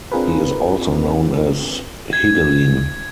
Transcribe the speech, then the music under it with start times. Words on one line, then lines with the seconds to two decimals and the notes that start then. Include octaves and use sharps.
He is also known as Higelin.
0.12 C4 D4 F4 G#4 A#4 B4
2.13 G#6